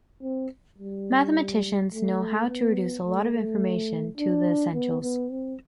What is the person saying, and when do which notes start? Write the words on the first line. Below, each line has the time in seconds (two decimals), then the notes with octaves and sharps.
Mathematicians know how to reduce a lot of information to the essentials.
0.22 C4
0.78 G3
1.92 A3
2.48 B3
3.04 A3
3.33 A3
4.17 D4
4.74 B3
5.02 B3
5.31 C4